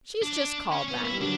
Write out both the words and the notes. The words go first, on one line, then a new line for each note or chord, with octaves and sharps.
She's just called that.
D4
C#4
B3 C#4
A#3 E4
G3
D3 F#3 D4